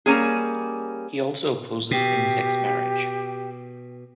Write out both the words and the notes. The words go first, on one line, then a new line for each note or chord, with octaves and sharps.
He also opposes same-sex marriage.
G3 A#3 C#4 G#4
B2 G4